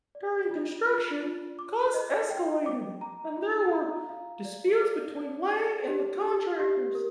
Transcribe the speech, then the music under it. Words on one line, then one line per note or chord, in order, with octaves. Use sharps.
During construction, costs escalated, and there were disputes between Laing and the contractors.
D5
F4
F4
F4
D6
D#5
G5
D6
A#5
F4
A#5
F5
D5
D6
D5
D6
G4
G4
G4
A#4